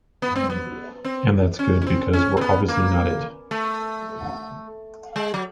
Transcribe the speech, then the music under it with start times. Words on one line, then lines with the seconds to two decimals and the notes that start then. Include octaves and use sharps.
And that's good, because we're obviously not it.
0.22 B3
0.36 C4
0.50 B3
1.05 C4
1.59 C#4
1.82 C#4
1.87 C4
2.13 C#4
2.37 C4
2.41 B3
2.68 A#3
3.51 A3
5.16 G#3
5.34 F#3